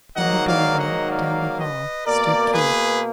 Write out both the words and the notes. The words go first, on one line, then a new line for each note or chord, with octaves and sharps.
In the doorway down the hall stood Keith.
G#2 D#3 F#3 A#3 D#5 F#5
D5 F5
D#5 F#5
D5 F5
B4 D#5
B2 A#3 A#4 D5
G#4 B4